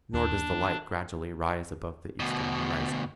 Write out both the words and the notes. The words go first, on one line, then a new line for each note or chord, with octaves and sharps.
Nor does the light gradually rise above the eastern horizon.
D#2 E3 D4
D2 B2